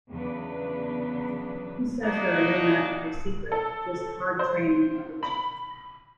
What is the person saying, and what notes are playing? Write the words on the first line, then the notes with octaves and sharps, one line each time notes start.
He says there are no magical secret, just hard training and coaching.
E2 C#3 F#3 B3 D4 B4
A#3 D4 D#4 F#4 D#5
A4
C5
B5